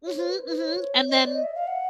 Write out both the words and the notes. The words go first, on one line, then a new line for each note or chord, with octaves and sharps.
Mhm, mhm, and then
C#5
C5
B4
B4
C5
C#5
D#5
C#5
D5
D#5
E5
F5
F#5